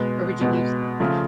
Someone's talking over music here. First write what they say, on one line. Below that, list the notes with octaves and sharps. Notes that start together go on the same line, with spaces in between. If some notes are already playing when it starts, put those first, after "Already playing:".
or would you be
Already playing: B2 G#3 B3
B2 G#3 B3
C#3 F3 A3